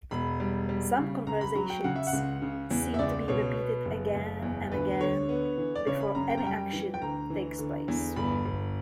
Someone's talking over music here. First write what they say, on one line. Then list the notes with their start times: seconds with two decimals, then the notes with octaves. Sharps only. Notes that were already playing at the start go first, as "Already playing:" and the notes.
Some conversations seem to be repeated again and again, before any action takes place.
0.11 E1 B5
0.40 G3
0.69 G3
0.98 C#3
1.27 C#2 A#5
1.41 B5
1.55 F#3 A#5
1.70 G5
1.84 C#3 F#5
1.96 E5
2.07 F#5
2.13 C#2
2.42 C#3
2.71 E2
2.94 E5
2.99 C#2 D5
3.28 B2 C#5
3.56 B3
3.85 F#1
4.15 F#1
4.42 E2
4.72 D2 B4
5.00 D3 C#5
5.29 B3
5.58 E3
5.75 D5
5.87 C#3 C#5
6.01 B5
6.15 F#2 A#5
6.30 G5
6.38 A#5
6.44 G3 G5
6.73 E3
6.94 G5
7.02 D2 A#5
7.30 E3
7.59 D3
7.88 E2
8.16 G1 B5
8.45 G1